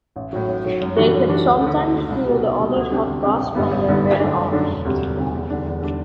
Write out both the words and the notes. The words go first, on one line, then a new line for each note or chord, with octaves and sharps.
They could sometimes feel the other's hot gasps on their bare arms.
A1
A2 F#3
A1
A2 F#3
F#2
E3 G3 D4 F#4
F#2
E3 G3 D4 F#4
D2
A3
D3
D2
D3 A3
C2
B2 G3
C2
B2 G3
D2
C3 G3 D4 G4
D2
C3 G3 D4 G4
A1
G2 D3 G3 B3
A1
G2 D3 G3 B3
G1
F#2 D3 A3 D4
G1
F#2 D3 A3 D4
E1
D2 C3 G3
E1
D2 C3 G3
E2
D3 G3 D4
E2
D3 G3 D4